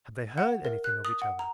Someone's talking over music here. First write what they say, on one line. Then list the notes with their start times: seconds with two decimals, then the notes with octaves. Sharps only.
Had they heard anything of each other?
0.38 F#5
0.65 A#4
0.84 F#6
1.05 D#6
1.22 F#5
1.39 A#5